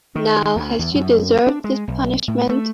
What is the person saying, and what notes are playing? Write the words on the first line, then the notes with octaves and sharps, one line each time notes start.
Now, has she deserved this punishment?
D#3
D2
E2
F#2
D4
G#3
B1
A2
A3